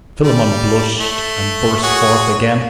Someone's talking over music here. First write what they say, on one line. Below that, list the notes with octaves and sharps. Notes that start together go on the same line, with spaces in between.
Philammon blushed and burst forth again.
G3 D5
A3
F#4 G#4 C#5